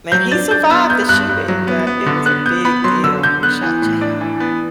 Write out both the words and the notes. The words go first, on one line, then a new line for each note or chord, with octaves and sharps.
Man, he survived the shooting, but it was a big deal. "Who shot J.R.?"
F#3 G6
D4 A6
D4 G6
B3 E6
B3 G6
G2 F#6
G2
F#3
B3
B3
D3
B3 F#6
B3 G6
B3 B5
F#3 C6
D3 E6
D3 G6
B3 F#6
E3
A2
D4
E3
B3